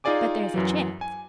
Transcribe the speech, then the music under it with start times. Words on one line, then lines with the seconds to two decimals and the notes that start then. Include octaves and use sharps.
"But there's a chance?"
0.04 D#4 F4 G#4 D5 G#5 D6
0.54 F#2 E3 F#3
1.01 G#5